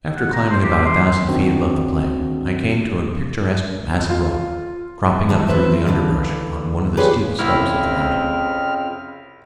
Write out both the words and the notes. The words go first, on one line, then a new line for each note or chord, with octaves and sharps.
After climbing about a thousand feet above the plain I came to a picturesque mass of rock, cropping up through the underbrush on one of the steepest slopes of the mountain.
F#5
A#5
C5
G4
C6
D#3 C4 D4 F#4
F4
A2 D#3
E2 B4 C5 E5
D#2 A#2 D3 E3
F4 G4 G#4 B4 C#5 D5
C2 F2 C#3 C4 E4 F6